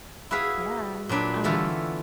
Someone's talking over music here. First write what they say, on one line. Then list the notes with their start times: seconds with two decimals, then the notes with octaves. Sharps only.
Yeah, um,
0.31 E4 F#4 G#4 B4 F5
1.09 A#2 F#3 D4 B4
1.44 D3 E3 A3 B3 F4